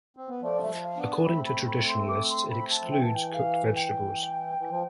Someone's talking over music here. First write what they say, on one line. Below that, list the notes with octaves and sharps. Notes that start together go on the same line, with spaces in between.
According to traditionalists, it excludes cooked vegetables.
C4
B3
F3 A3 D5
G3 E5
F3
F5
B3 D4
A3 C4 B5
B5
B5
C6
D6
C6
B5
A5
F3
E3 G5
A5
G5
F5
G5
E3
F3